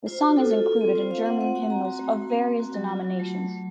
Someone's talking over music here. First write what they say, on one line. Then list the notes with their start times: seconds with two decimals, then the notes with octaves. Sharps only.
The song is included in German hymnals of various denominations.
0.06 F4 C5
0.21 F4 F#4
0.36 F4 A4
0.51 F4 A4
0.66 F4
0.81 C4
0.95 F4 C5
1.11 F4 F5
1.25 C4 F#5
1.41 C4 F#5
1.55 F#4 F#5
1.70 C4 A#5
1.85 F#4 A#5
1.99 A3
2.15 A3
2.30 C4
2.44 C4
2.59 F#4
2.74 F#3
2.89 F4
3.05 F#3
3.20 A3
3.34 A3
3.49 A3